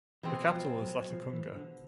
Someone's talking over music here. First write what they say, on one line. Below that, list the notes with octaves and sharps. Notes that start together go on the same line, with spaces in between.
The capital is Latacunga.
B2 E3 G#3 C4
F3
F#3
F3
E3
D3